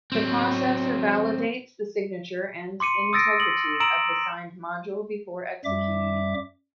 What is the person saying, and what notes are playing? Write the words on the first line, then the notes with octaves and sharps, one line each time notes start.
The processor validates the signature and integrity of the signed module before executing it.
F#3 C4
C6 D6 C#7 D#7
D#6 E6 A6 A#6 D7
D#6 F#7
A#5 D#6 E6 D7 E7 F#7
F#2 G3 E5 D6